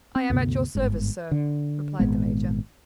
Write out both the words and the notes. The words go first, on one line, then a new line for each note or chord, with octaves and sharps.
"I am at your service, sir," replied the major.
C4
D2 G2 C3 B3
G1 G#2
D3
G#1 A#2 G#3 B3